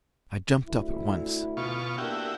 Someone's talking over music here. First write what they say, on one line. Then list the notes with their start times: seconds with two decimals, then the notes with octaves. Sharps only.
I jumped! up at once.
0.66 D2 E4
1.57 B2 F4 C#6
1.98 A#3 B3 D4 E4 F#4 G4